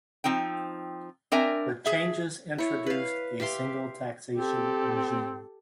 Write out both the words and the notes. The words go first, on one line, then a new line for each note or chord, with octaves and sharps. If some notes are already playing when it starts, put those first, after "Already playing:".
The changes introduced a single taxation regime.
F3 C4 D#4 G5
C4 D4 A#4 E5 G#5
G#4 E5
E4 C#5
B4 F5
G4 E5 F5 C6
C4 G4 A4